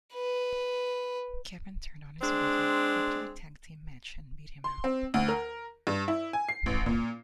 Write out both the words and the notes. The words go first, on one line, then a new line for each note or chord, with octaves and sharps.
Kevin turned on his brother after a tag-team match and beat him up.
B4
G#3 C4 D4
C6
C4
D2
A#4
G2
E4
G#5
C7
A1
A#2